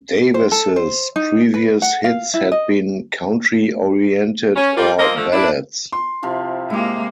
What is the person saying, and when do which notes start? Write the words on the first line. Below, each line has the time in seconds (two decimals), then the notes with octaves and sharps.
Davis's previous hits had been country-oriented or ballads.
0.34 C5
0.52 A4
0.76 C5
1.16 D#4
1.54 B4
1.82 F#5
2.04 F5
2.34 E4
2.52 D#5
4.56 C#4
4.76 G3 A#3 F4
4.98 F3 A#3 C4 F4 A#4 D#5
5.16 D3 F3 A3
5.32 D4 E4
5.92 C6
6.23 C3 F3 E4
6.70 G#3 A#3 E4 G4